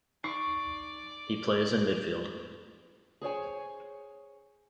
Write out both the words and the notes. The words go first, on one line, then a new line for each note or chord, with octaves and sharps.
He plays in midfield.
D#4 D5 C#6
G#4 C5 C#5 G#5